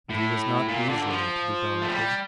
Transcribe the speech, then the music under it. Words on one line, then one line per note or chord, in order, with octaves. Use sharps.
But he was not easily to be daunted.
A2
A#2
D3
D#3
F3
A3
G3